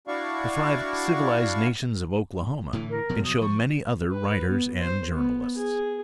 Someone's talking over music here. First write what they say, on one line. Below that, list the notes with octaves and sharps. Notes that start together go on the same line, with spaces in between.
The Five Civilized Nations of Oklahoma can show many other writers and journalists.
D4 E4 F#4 D5 F5 C#6
A2 D3 E3
A#4
B2 F3 F#3
D#6
F3 C#6
B4
B3
C5
B3
G#4